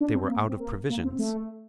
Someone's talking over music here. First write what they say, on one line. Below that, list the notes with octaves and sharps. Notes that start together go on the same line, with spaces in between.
They were out of provisions.
D4
C4
A#3
C4
A#3
A#3
C4
A3